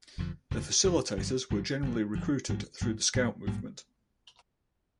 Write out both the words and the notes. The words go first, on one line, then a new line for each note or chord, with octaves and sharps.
The facilitators were generally recruited through the scout movement.
F1 F2 D3 F3
F1 F2 D3 F3
F1 F2 D3 F3
G1 G2 F3
G1 G2 F3
G1 G2 F3
G1 G2 F3
A#1 G#2 G3 A#3
A#1 G#2 G3 A#3
A#1 G#2 G3 A#3
A#1 G#2 G3 A#3